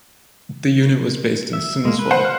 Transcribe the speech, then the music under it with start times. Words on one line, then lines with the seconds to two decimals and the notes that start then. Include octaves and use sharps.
The unit was based in Sundsvall.
1.53 E5
1.85 G#3 A#3
1.99 B4
2.11 C5 F#5
2.25 F5